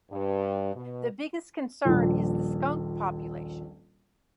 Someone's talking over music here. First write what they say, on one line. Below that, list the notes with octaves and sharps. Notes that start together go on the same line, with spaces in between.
The biggest concern is the skunk population.
G2
B2
D#1 A#1